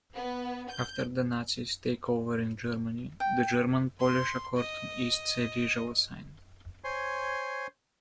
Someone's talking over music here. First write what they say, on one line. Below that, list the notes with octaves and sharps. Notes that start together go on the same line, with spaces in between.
After the Nazis' takeover in Germany, the "German-Polish Accord on East Silesia" was signed.
B3
G6
G5
C6
D#5
C5 C#5 G#5 C6